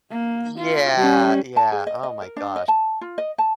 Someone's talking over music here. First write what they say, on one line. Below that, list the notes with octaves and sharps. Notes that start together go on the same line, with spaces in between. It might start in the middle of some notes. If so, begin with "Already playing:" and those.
Yeah, yeah, oh my gosh.
A#3
F4
G3 C#4
A5
G#4
D#5
D#5
A#4
D4
D#5
A5
F4
D#5
A5